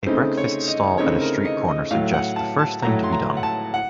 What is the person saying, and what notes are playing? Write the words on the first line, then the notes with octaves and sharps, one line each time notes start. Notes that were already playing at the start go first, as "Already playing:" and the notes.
A breakfast-stall at a street-corner suggests the first thing to be done.
C#3 A3 C4 D#4 C5
C#5
D#5
C#3 A3 C4 D#4 C#5
A#4
D#5
D#5
A2 F#3 A3 F5
F#5
A5
A5
A2 F#3 A3 A#5
C6
A#5
F#5
A5
F#5